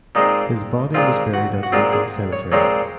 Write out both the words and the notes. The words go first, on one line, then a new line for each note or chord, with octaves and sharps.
His body was buried at Lincoln Cemetery.
A#2 G#3 C4 D#4
A#2 G#3 C4 F4
F#4
F#4
A#2 G#3 C4 F4
G#4
C#5
A#2 G#3 C4 C#5